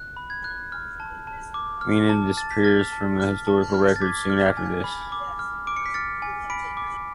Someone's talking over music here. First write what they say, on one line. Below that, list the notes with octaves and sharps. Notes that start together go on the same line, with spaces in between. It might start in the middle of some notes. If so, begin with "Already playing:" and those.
Menen disappears from the historical record soon after this.
Already playing: F#6
B5
G#6
F#6
F6
A5
A5
D6
F6
A5
A5 A6
B6
F6 A6
A5
F6
A5
F6
A6
D6 G#6 B6
F6
G#5
B5
D6
F6
D6 D7
C#7
B6
F6 A6 C#7
G#5
B5 B6 D7
D6